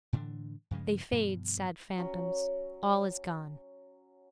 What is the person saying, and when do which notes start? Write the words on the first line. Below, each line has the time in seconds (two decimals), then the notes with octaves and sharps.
They fade, sad phantoms: all is gone.
0.13 A2 D3 E3 D4
0.71 G2 C#3 F3 G#3
1.12 G2 B2 F3
1.98 F#3 C#4